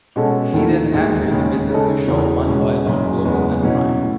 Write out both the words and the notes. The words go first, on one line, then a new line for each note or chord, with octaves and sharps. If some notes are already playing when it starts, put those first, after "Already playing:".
He then anchored the business news show "MoneyWise" on Global and Prime.
B2 G#3 C#4 F#4 A4
D#2 D#3 A3 E4
E1 D#2 D#3 G#3
D#2 C#3 G#3
C#3 G#3 D#4 A4
E1 E2 C#3 E3
B2 G#3 C#4
F#1 F#2 C#3 G#3
E2 C#3 G#3 B3
B2 F#3 C#4 E4
A2